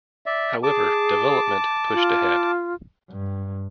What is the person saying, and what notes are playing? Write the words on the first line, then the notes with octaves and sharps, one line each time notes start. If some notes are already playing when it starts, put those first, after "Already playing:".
However, development pushed ahead.
D5 E5
G#4 A5 D6
F4
G2